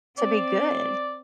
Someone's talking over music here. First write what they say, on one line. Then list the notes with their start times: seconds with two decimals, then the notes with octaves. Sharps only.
to be good,
0.18 C4 D5